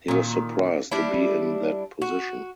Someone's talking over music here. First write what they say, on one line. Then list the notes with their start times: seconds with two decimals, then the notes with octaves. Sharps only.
He was surprised to be in that position.
0.08 A#2 D#3
0.91 G3 D4 E4
2.02 F#4